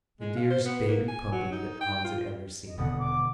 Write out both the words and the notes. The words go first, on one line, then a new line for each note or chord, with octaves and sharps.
The dearest baby puppy that Hans had ever seen.
G#3
F5
C5
B3
A#3
G#5
F#3
D#4
G5
F4
D#5
D#1 E2 B2 D3 B3 F#5 D#6
D6